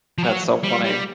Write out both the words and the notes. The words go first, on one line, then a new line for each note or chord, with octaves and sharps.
that's so funny.
F3
F#3
G3
G3